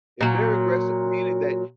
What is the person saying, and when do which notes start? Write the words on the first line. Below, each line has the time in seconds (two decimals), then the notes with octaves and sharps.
They're very aggressive, meaning that
0.21 A#2 F#3